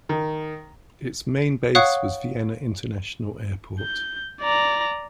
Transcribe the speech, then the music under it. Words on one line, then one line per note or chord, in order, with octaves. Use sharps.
Its main base was Vienna International Airport.
D#3
C#5 F5 F#5 C#6 D#6 F#6
G6
D5 A#5